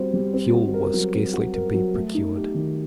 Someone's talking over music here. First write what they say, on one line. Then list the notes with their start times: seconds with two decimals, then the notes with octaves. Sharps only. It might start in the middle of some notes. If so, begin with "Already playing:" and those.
Fuel was scarcely to be procured.
Already playing: G3 C4 F#4 C5
0.14 G3
0.33 C4
0.54 F#4
0.74 A#4
0.94 F#3
1.14 C4
1.33 F#4
1.54 A#4
1.74 F#3
1.95 A3
2.15 D#4
2.35 G4
2.55 D#3